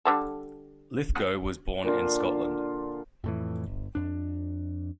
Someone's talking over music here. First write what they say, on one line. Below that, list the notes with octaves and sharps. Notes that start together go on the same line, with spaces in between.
Lithgow was born in Scotland.
D3 G3 A4
A#2 D3 F4 D5
F2 A2 E3
G1
F2 D4